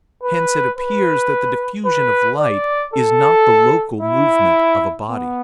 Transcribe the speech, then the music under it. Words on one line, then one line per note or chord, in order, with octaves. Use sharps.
Hence it appears that the diffusion of light is not the local movement of a body.
B4
B4
B4
D5
A4
E4
B3